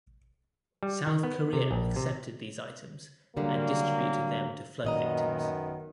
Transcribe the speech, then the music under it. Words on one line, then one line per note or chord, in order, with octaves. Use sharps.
South Korea accepted these items and distributed them to flood victims.
G3
D#3
B3
C3
A#1
C3
D3 F#3 G3 A#3
F#2 A#2 D#3 B3 D#5 A#5